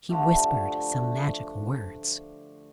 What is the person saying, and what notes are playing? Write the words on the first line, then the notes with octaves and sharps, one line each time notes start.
She whispered some magical words.
D3 F3 A3 G4